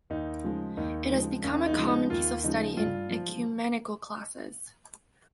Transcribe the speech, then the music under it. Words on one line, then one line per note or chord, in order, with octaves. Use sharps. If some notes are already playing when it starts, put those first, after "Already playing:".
It has become a common piece of study in ecumenical classes.
D#2 D#4
C#3 F3 G#3
D#2 D#4
C#3 F3 G#3
D#2 C#4
D#4
C#3 F3 G#3
D#4
D#2 F4
C#3 F3 G#3 D#4
G2 F4
F3